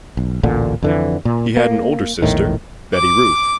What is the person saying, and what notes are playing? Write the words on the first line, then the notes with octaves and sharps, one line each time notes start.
He had an older sister, Betty Ruth.
B1
A1 D2 A#2 D3
F2 D3 E3
A#2
A#3
A#1 E2 A2 D#3
D6